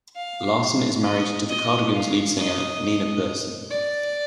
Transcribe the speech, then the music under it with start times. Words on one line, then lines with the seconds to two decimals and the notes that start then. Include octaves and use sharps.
Larson is married to The Cardigans lead singer, Nina Persson.
0.16 F5
1.04 D#5
1.49 D#5
1.93 F5
2.38 D#5
3.71 D5